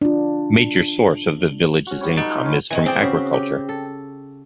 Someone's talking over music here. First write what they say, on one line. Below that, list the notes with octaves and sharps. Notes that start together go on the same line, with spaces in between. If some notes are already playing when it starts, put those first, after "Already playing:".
Major source of the village's income is from agriculture.
D4 F4
C#4 F#4
G3 C#5
D#4 F#4 A4 B4
F4
B3 C#4
D#3 E3 C4 G#5
C4 G#4 D5 G5
C#3 F#4 B4
G4
A4